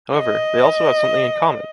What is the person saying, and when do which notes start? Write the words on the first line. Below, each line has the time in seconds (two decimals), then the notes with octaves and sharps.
However, they also have something in common.
0.14 D#5